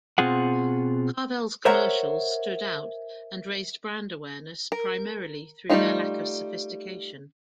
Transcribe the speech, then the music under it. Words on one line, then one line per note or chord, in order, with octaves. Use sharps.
Carvel's commercials stood out and raised brand awareness primarily through their lack of sophistication.
B2 C4 F4 G#4 F#5
A#4 C5 C#5 E5 F#5 A#5
A#4
G3 A3 C4 D#4 F4